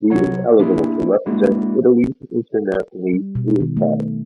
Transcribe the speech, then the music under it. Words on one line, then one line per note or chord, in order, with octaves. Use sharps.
He is eligible to represent Italy internationally through his father.
C2 F#3 C#5 F#5 A#5
A#3 D4 E4 G#4
G#3 A#3 D4 E4 F#4
G3
B2
D#3
A3